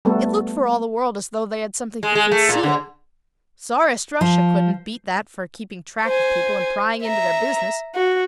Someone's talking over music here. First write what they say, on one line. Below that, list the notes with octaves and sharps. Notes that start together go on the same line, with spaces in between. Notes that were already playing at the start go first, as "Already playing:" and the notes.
It looked for all the world as though they had something to conceal; Czarist Russia couldn't beat that for keeping track of people and prying into their business.
G3 A3 B3 A4
G#3
G#3
A3
A#2
D3
F3
C5 G#5
E5 A#5
F#4